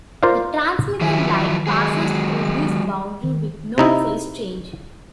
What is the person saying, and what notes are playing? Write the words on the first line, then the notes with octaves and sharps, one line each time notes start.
The transmitted light passes through this boundary with no phase change.
F4 A#4 C5 D5 F5
D#3 F3 F#3 E4
F#3 G#3 G#4
D#3
C3 D#4 E4